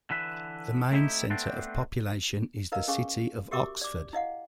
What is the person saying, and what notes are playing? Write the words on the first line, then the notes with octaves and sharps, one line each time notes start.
The main centre of population is the city of Oxford.
D3 E3 B4 E5
A3 C4 D#4 E4 G4
A3 B3 C4 D4 C5 D5
E4 A#4 B4 D#5 F5 A#5
C#4 G#4 F5 G#5 C#6
F#4 G4 A#4 E5 C#6 D6
D5 D6
E4 D#5 F5 F#5